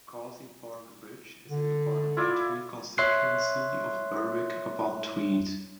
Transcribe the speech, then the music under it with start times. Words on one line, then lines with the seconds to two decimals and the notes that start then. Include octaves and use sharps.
Causey Park Bridge is in the parliamentary constituency of Berwick-upon-Tweed.
1.49 D3
2.17 E4 F4 D5
2.98 C#5 E5 C6 F#6 C7